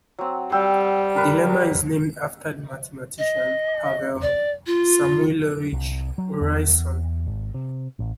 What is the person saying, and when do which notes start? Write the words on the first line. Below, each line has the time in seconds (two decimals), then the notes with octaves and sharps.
The lemma is named after the mathematician Pavel Samuilovich Urysohn.
0.19 F#3 C4
0.52 G3 F#5 G5 E6
1.16 A#4 B4
3.19 D#5
4.22 D5
4.67 F4
5.72 C2
6.18 F#3
6.41 E2
7.26 G#1
7.54 C3
7.99 A1